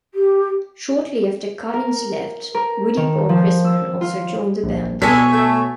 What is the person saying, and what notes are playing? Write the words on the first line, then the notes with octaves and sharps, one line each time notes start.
Shortly after Collins left, "Woody Paul" Chrisman also joined the band.
G4
A#4
A#4
D#3
F3
E6
F4
A#1
B2 G#3 D4 A4 C#5 G#5 B6
A3